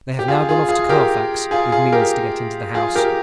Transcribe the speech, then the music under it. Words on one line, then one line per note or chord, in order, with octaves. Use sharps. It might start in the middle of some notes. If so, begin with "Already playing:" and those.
They have now gone off to Carfax, with means to get into the house.
G4
F4 G#4
F4 G#4
F4 G#4
G4 A#4
F4 G#4
F4 G#4
G4 A#4
F4 G#4
G4 A#4